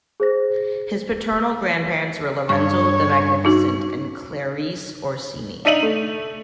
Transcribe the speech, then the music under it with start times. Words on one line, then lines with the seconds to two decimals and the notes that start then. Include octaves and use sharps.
His paternal grandparents were Lorenzo the Magnificent and Clarice Orsini.
0.20 G#4 C5 A#6
2.49 G2 C#5 C#6
3.45 D#4 F#4
5.65 D4 D#4 E5 D#7 F7 F#7
5.83 A3